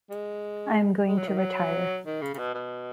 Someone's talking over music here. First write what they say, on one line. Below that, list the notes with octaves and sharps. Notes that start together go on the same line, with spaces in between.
I am going to retire.
G#3
G#3
F#3
D#3
F#3
D#3
C#3
C#3
B2
B2